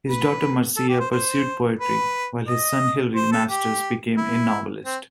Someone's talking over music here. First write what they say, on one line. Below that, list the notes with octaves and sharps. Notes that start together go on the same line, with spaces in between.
His daughter Marcia pursued poetry, while his son Hilary Masters became a novelist.
B4
A4
G4
C5
C5
B4
D#5
C5
A4
G4
E4
C4